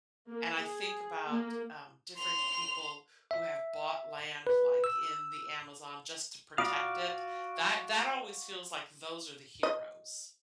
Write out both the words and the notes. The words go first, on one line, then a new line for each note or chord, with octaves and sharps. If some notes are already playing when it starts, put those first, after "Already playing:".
And I think about, um, different people who have bought land, like, in the Amazon just to protect it, that that always feels like those are the heroes.
A#3
G#4
A#3
C6 F7
E5
B4
E6
F4 F#4 D5 F5 D#6
D#5